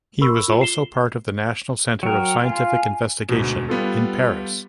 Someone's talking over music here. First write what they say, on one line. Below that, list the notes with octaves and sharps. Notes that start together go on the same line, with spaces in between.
He was also part of the National Center of Scientific Investigation in Paris.
A#4 B5 C#6 E6
F4
C7 E7 G7
F#3 A#4 G5
F4 G#5
D2 G#2 B2
G3 B3 F4 A4